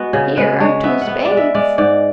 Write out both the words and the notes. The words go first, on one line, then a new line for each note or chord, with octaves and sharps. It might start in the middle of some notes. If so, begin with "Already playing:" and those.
Here are two spades.
Already playing: G#3 B3 F#4
C#3 G#4
G#3 B4
G#3 C#5
B3 E5
F#5
B3
D5
G#3
E5
G#3 D5
G#2 D5